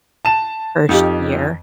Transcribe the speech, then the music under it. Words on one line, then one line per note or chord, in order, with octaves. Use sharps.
first year,
A5 E7
F2 D#4 F4 G4